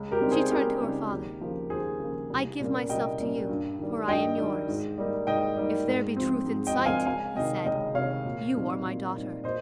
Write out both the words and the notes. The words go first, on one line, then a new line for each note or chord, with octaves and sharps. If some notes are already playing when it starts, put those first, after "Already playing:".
She turned to her father--"I give myself to you, for I am yours." "If there be truth in sight," he said, "you are my daughter."
Already playing: C#2
G4 A#4
C#3 G3 C4 D#4
G#4 C5
C#2 G4 A#4
C#3 G3 C4 D#4
D#2
C#3 F3 A#3
D#2 G#4 C5
C#3 F3 A#3
C2
A#2 G3 A#3 C#4
C2 D#5 G5
A#2 G3 A#3 C#4
G2
D#3 G3
G2 D#5 G5
D#3 G3
G#2
G3 A#3 D#4
G#2 D#5 G5
G3 A#3 D#4
G#2
F3 C4
G#2
D#5 G5
F3 C4
F5 G#5
C#2 F5 G#5
C3 D#3 D#5 G5
C#2 D#5 G5
C3 D#3 C#5 F5
A#2
G3 C4 D#4
A#2
G3 C4 D#4
A#2 C5 D#5